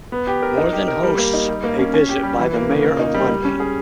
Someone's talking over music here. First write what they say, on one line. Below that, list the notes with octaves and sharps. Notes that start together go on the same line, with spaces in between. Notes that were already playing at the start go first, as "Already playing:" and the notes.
More than hosts a visit by the Mayor of London.
B3
G4
A#4
D#4
G4
A#4
G3
A#3
D#4
G3
A#3
C#4
C#4
G4
G3
E3
A#3
C#3
A#3
D#4
G3
G3
C#4
G#4